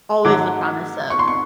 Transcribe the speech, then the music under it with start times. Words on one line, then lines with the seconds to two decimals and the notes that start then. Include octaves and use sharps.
always the promise of
0.24 G#2 D#3 F#3 A3 D6
1.10 C#6
1.19 C6
1.28 C#6